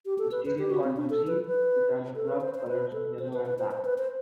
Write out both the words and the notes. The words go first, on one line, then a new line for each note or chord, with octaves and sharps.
The stadium got new seats, which are the club colors of yellow and black.
G4
A4
B4
B4
G4
F#4
C4
D4
A4
B4
B4
A4
B4
C5
C5
B4
A4
C5
B4
B4
C5
C5
B4
C5